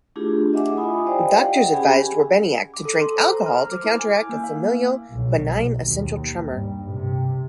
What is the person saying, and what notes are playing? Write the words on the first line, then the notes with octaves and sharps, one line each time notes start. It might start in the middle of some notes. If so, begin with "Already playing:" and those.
Doctors advised Werbeniuk to drink alcohol to counteract a familial benign essential tremor.
A3 D4 E4 F4 G4 G#4
D#5 E5 F#5 G#5 D6
E4 F4 G#5 B5 D#6
G4 C5 D5 D#5 F5 G5
F#5 G5
C#4 G4 G#4 G#5 B5
D6
A4
C6
C5
A#5
F6
F6
D6
E4
G#5
A#3
F5
B1
D#2
G2
C3